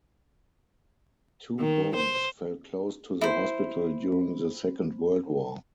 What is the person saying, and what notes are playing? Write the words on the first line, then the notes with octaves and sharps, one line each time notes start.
Two bombs fell close to the hospital during the Second World War.
D#3
C5
E4 C5